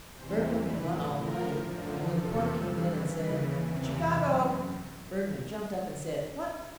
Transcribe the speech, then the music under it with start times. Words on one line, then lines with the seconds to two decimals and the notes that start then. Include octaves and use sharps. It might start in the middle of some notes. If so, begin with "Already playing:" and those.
Bergmann had won all the money, and when the porter came in and said 'Chicago,' Bergmann jumped up and said: 'What!
0.15 E2 C3 E3 C5
0.64 A2 E3 B4
1.14 A2 F3 A#4
1.63 F#2 D3 F3
2.13 E2 C3 F3 A4
2.62 G2 E3
3.11 D#2 C#3 E3 B4
3.61 E2 C3 E3
4.10 F#2